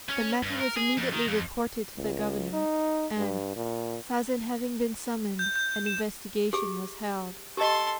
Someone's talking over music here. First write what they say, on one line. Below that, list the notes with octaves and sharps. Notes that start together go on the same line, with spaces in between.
The matter was immediately reported to the governor, and, Sazen having been summoned, an investigation was held.
C#4
G2
A#4
G#4
F2
D#3
F2
C#2
D#4
G2
A#2
G6
G6
E7
G4 G#4 D6
G4 A4 D#5 C6